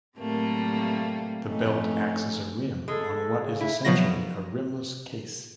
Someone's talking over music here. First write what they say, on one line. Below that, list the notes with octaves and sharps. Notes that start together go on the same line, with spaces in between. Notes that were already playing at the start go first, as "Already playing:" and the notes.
The belt acts as a rim on what is essentially a rimless case.
A2 C3 F#3 G3 A3 A#3
G2 C3 F3 A3 C#4 D#4
G#3 A4
C#3
E4
B2 F3 F#3 A#6